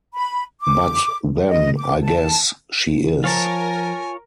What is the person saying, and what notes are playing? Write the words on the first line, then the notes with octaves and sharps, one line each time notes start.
But then, I guess, she is.
B5
D6
D#5
D6
A5
F3 F4 A#4 C#5 G#5 A5